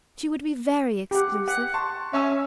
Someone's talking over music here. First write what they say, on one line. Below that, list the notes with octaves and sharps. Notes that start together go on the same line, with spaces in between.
She would be very exclusive.
G4 F#5
G4 F#5
A5 C6 C#6
C#4 E5 G#5 E6